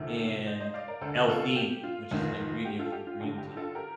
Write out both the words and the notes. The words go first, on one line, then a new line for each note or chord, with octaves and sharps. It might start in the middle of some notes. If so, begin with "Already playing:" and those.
and L-Theanine, which is an ingredient from green tea,
Already playing: D2 C3 D#3 F4 A4
C5 D#5
C5 D#5
D5 F5
A#4 D5
D2 D3 A4 C5
F4 A4
G4
F4
F1 D#2 D#3
G4
F4 A4
G4
F4
A1 G2 D3 G4
G4
F4 A4
G4 A#4